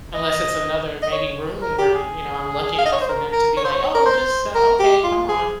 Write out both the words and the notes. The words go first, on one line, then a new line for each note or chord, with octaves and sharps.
unless it's another, maybe, room where, you know, I'm lucky enough for them to be like, "Oh, just, uh, okay, come on."
D#5
D#5
C#5
A#4
G4
G#4
F5
D#5
C#5
C5
A#4
A#4
C#5
C5
C#5
A#4
C5
A#4
G4
F4
G#4